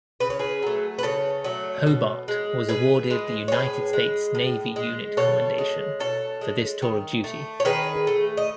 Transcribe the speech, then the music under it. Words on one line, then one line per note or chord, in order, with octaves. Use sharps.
"Hobart" was awarded the United States Navy Unit Commendation for this tour of duty.
C#3 B4
C#5
G#4 B4
F#3 A3
B4
C#3 A4 C#5
F#3 A3
B2
G#3
B2 G#4 B4
G#3
C#5
A2 G#4 B4
G#3
A2
G#3
B2 A4 C#5
G#3
B2 A4 C#5
G#3
D#3
A3
C#5
D#3 G#4 B4
A3
D#5